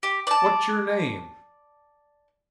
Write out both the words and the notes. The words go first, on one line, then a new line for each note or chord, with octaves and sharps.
"What's your name?"
G4
D5 A5